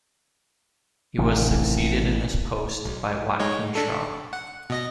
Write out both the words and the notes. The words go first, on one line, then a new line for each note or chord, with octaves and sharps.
He was succeeded in this post by Watkins Shaw.
A1 C3 D#3
B1
G#3 D#4 C#5
D4 A4
F#5
B2 D#5 A#6